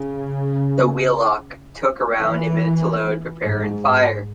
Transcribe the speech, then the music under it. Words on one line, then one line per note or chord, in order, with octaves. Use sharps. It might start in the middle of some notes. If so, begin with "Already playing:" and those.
The wheellock took around a minute to load, prepare and fire.
Already playing: C#3
E3
G#2